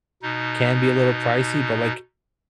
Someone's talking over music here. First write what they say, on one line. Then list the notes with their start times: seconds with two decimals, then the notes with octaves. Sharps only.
can be a little pricey, but like
0.22 B2 D#4